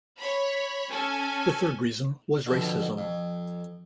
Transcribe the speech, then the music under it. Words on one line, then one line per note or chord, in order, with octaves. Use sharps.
The third reason was racism.
C#5 B5
C#4 A4 G#5
F2 B2 D3
F2